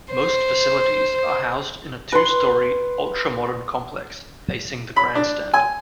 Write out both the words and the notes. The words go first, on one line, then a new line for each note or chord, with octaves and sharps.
Most facilities are housed in a two-storey ultra modern complex facing the grandstand.
C5
B4 C6
B5
D4
G#5